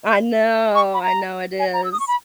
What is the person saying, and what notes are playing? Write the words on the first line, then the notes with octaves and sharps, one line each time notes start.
I know, I know it is.
G6
C#6
B5
A#5
G#5
A#5
E6
D#6
C#6
B5